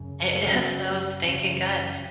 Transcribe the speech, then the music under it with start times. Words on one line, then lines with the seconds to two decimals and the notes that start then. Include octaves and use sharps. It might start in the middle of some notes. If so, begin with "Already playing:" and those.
It is so stinking good.
Already playing: F#2 C#3
0.47 F#2 C#3 F#3
1.24 F#2 C#3